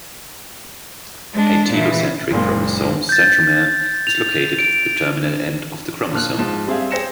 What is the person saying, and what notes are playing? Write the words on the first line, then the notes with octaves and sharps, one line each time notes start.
A telocentric chromosome's centromere is located at the terminal end of the chromosome.
G#3 D4
A#2 E3
F#1 A#2 G#3
G6 A6
F7
D7
A#2 F3 F6 F#6
G#2 F3 E7
G3 C4 G#4 E5 F5
G#4 C5 G5 A#6 C#7 E7